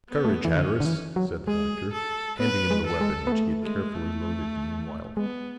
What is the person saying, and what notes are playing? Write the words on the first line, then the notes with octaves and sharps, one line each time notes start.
"Courage, Hatteras!" said the Doctor, handing him the weapon, which he had carefully loaded meanwhile.
B3
A3
E3
D3 C#4
D3
E3
F#3
G#3 G#4
A4
B3 B4
G#3
A4
G#3
B3
A3
G#3
A3
G#3 B3